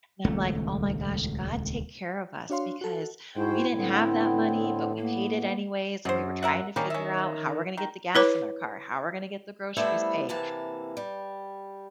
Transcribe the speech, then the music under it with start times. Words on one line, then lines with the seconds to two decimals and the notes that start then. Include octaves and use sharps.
and I'm like, "Oh my gosh." God take care of us because we didn't have that money, but we paid it anyways, and we were trying to figure out how we're gonna get the gas in our car, how we're gonna get the groceries paid.
0.24 D#1 C#2 A3
2.50 D4 F#4 C#5 F5 C6
2.81 F#4 A4
3.36 G#2 E4 F#4 C5 G5
3.72 A2 D3 B3 C4
4.98 A#3 B3
6.05 F#2 G#4 C5
6.43 A#4 E5 F#5
6.76 D#3 G3 A#3 C#4
6.90 C#4 E5
7.77 D#3
8.15 E4 B4 C#5 D6
9.77 G3 A3 B3 E4 C5 E5
10.29 C3 E3 A#3 A5
10.97 G3